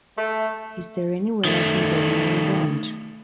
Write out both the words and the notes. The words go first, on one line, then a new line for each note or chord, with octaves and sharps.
Is there any way i can get my revenge?
A3
D#3 A3